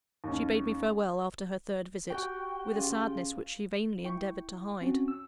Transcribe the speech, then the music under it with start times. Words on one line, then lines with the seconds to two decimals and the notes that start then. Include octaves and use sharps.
She bade me farewell after her third visit, with a sadness which she vainly endeavoured to hide.
0.24 D#2 C#4
2.10 F#4 G4 G5 G#5 D6
2.74 C#3 F4 G#5
4.04 E4 G5 C#6
4.81 C4 C#4 F#4
5.08 E6